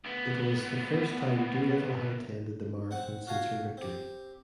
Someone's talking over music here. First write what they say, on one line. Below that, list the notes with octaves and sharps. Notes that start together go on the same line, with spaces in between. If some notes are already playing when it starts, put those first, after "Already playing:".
It was the first time Doolittle had attended the marathon since her victory.
D2 B3
C4 F#5
F4 F#4 F5 G#5 A5
C4 G4